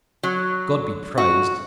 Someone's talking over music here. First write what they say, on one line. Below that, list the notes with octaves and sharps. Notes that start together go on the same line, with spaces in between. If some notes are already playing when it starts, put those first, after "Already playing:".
God be praised!
F#3
F#4